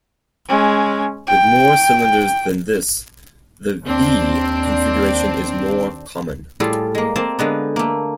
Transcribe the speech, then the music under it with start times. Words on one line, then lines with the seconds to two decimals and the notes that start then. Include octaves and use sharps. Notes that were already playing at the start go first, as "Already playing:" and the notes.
With more cylinders than this, the vee configuration is more common.
0.49 G#3 C#4
1.27 G5
3.83 D#2 C4 D4
6.60 A2 G3 F4 G#4 A4
6.95 G#3 A#3
7.16 A#3 C4 C5 A5
7.39 D3 G#3 B3
7.76 A3 A#3